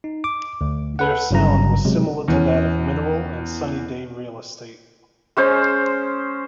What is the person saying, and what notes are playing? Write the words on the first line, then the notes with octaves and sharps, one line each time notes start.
Their sound was similar to that of Mineral and Sunny Day Real Estate.
D#4
D6
D2
A4 B4 F#5
G1 G2 C#3 F#3 A#5
C3 F#3 G#3
E2 C#4
G#3 C#4 C5